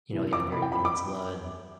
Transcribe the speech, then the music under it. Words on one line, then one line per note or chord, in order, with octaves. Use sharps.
you know, the Iberian Peninsula and
C3 E3
F2 D6
C3 E3 B5
G5
F2 B5
D6